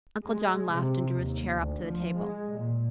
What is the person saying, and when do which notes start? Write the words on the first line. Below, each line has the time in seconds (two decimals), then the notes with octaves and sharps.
Uncle John laughed and drew his chair up to the table.
0.25 G#3
0.72 C3
1.14 D#2
1.56 D2
1.84 F3
2.17 G#3
2.52 A#2